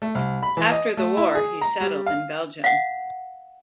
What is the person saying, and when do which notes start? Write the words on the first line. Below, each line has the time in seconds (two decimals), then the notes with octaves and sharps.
After the war he settled in Belgium.
0.02 A3
0.15 C2
0.43 B5
0.57 E3
0.72 D#5
0.97 A3
1.17 E4
1.35 G#4
1.61 A#5
1.80 G3
2.06 F5
2.64 F5 F#5